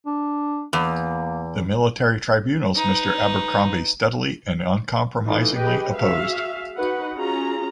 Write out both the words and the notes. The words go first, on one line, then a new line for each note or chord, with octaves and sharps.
The military tribunals Mr. Abercromby steadily and uncompromisingly opposed.
D4
E2 A#3
D#4 B4
E3 A3 D#4 F4
G4 G#4 B4 D#5 G5
F#4 G#4 E5 F5
D#4 F#4 B4 F#5
C#4 F4 F#4 G#4 A#5